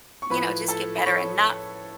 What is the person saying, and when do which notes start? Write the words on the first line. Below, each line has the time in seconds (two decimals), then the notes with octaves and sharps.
you know, just get better, and not f
0.22 C#6
0.30 A2 F3 B4 B5
0.68 A4 A5
0.98 B5
1.06 C#5 C#6